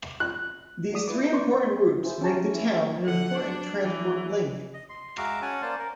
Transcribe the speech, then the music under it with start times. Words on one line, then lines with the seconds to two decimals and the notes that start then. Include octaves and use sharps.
These three important routes make the town an important transport link.
0.20 F#6
0.91 D#4 F#4 D5 D#6
1.08 E4 F4 B4 D6
1.31 B4 D5 C6 C#6
2.04 E4 F4 G#4 C5
2.21 C#4 G4 C5 A5 A#5 C#6
2.54 E4
3.03 D3 F#5
3.34 D4
3.82 E3
4.74 D#5
4.89 C6
5.17 G#3 F#4 E5 F5 A#5 D6
5.42 C#4 C#5 F#5 G#5 A5
5.62 A#3 C5 D5 A5
5.79 A#4